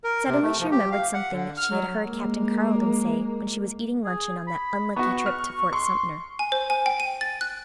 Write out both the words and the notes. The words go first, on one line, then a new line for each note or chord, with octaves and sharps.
Suddenly she remembered something that she had heard Captain Carleton say when she was eating luncheon on that unlucky trip to Fort Sumter.
A#4
C3
A3
F3
G4
F5
F#5
D3
F6
F#3
G#3 A#3
G#4
B5
B3 F#4 C#6
F6
C6 C#6
G#5
C5
G#5
G5
D#7
A6
F#6